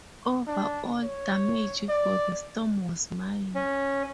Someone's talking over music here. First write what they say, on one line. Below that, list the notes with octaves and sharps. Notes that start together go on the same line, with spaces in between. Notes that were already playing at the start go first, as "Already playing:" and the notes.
Overall damage from the storm was minor.
D4
C#5
D5
C#4